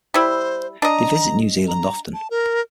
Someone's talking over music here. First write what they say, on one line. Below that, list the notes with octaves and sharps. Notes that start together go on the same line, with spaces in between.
They visit New Zealand often.
G3 E4 C5
D4 D#5 A#5
A#5
A5
A#4